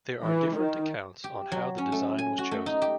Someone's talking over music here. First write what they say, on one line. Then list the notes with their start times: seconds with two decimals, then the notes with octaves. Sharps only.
There are different accounts on how the design was chosen.
0.25 E3
0.57 D#3
1.24 G4
1.52 F#3
1.78 C#4
1.92 A3
2.19 G#5
2.38 F#4
2.51 A3
2.66 D#4
2.82 G4